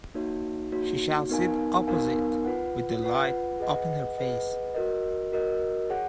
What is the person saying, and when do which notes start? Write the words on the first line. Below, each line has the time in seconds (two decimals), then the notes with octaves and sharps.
She shall sit opposite, with the light upon her face.
0.14 A#3 D#4 F#4 C#5
0.72 A#3 D#4 F#4 C#5
1.30 B3 D#4 A#4 F5 G#5
1.87 B3 D#4 A#4 F5 G#5
2.45 F4 B4 F#5
3.03 F4 B4 F#5
3.60 G#4 B4 D#5 F#5
4.17 G#4 B4 D#5 F#5
4.74 F#4 A#4 D#5
5.32 F#4 A#4 D#5
5.90 G#4 C#5 F#5